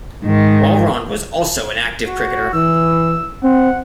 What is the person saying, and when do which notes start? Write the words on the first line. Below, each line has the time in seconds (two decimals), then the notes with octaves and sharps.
Walrond was also an active cricketer.
0.24 G#2 D#3
2.07 F#4
2.54 E3 E6
3.43 C4 F#5